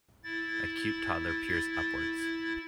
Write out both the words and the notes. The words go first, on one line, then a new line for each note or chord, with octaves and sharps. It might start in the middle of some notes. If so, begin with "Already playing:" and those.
A cute toddler peers upwards.
E4 A6